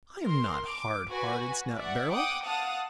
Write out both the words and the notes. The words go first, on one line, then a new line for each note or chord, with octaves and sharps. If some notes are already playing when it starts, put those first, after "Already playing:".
"I am not hard-hearted," snapped Beryl.
A#4 C6
D6
F#4 B4 G#5
D5 E5 F#5
F#5 G5 D6 D#6
F5 F#5 A5 D#6